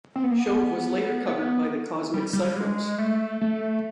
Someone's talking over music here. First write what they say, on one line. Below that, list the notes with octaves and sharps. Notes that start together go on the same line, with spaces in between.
"Shove" was later covered by the Cosmic Psychos.
C4
B3
A#3
B3
B3
G3
G3
G#3
A3
A3